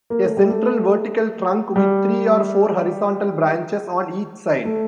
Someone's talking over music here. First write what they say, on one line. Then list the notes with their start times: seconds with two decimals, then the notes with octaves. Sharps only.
A central vertical trunk with three or four horizontal branches on each side.
0.10 A#3
0.24 A3
0.37 G3
0.50 A3
1.76 G3
4.65 A3